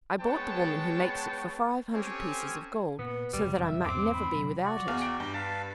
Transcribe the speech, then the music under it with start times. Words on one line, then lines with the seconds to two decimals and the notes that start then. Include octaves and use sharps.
"I bought the woman who makes it for five hundred pieces of gold, so that I might never be without it."
0.21 G#3 B3 C#5 G5 A5
1.93 C4 C#4 G4 A4 C#5 G#5
2.99 A#2 B3
3.33 F#1 C2 F2 G3
3.64 E5
3.84 E2 G#2 C4 D6
4.13 B5
4.35 C3 F#3
4.65 F#4 D5
4.88 E2 F5
5.02 G5
5.20 G2 G4 A#5
5.34 B4 F5 A5